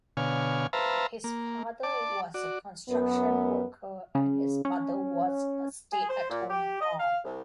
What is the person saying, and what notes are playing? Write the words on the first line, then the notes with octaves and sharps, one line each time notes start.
His father was a construction worker and his mother was a stay-at-home mom.
B2 D3 C#5 F5 G#5
B4 C5 E5 F5 A5 A#5
A#3
D5 A5 D6
F#4 D5
F#2 B3
C#3
C#4
G#4
C5
A#2
G4
D#5
F5
C2